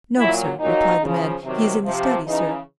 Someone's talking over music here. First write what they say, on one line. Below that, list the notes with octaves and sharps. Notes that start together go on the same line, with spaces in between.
"No, sir," replied the man; "he is in the study, sir."
A#2 F#3 E4
A#2 F#3 D#4
C#3 F3
C3 D#3 F#3
C3 F3
C#3 E3 D#4